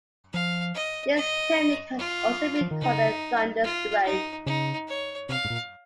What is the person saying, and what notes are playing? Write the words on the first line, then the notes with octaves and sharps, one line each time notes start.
This technique has also been called a "thunder stroke".
F3 F5
D#5
D#5
F4
F3
D#3
C#3 D#4
F4
D#4
C#3 D#4
C#5
C3 F5
G#2
A#2